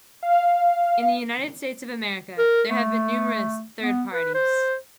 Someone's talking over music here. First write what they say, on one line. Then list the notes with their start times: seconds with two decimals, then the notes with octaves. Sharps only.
In the United States of America, there have been numerous "third parties".
0.23 F5
2.38 A#4
2.70 A3
3.83 B3
4.13 B4
4.34 C5